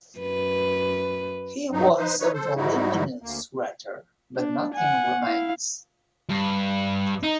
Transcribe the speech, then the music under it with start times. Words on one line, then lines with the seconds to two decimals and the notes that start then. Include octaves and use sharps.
He was a voluminous writer, but nothing remains.
0.19 F#2 B4
1.71 G2 B2 F#3 D#4
1.98 D#4 B4 C5
2.20 D#4 B4 C#5
2.34 A4 C5
2.56 G#2 G3 D#4 E4 F#4
3.22 D2 A#3
4.36 D4
4.74 F#5 G#5
5.22 E4 F5
6.30 G2
7.23 D#4